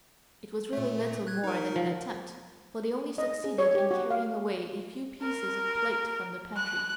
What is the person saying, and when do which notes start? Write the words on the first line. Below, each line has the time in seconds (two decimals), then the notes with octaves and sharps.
It was really little more than an attempt, for they only succeeded in carrying away a few pieces of plate from the pantry.
0.73 A#2 A3
1.27 F#6 G#6
1.44 D#4 A#4
1.76 F3
3.18 D#5
3.44 G#4
3.58 C#5
3.75 G4
3.91 F#4
4.10 F5
5.22 A#4
6.57 F#6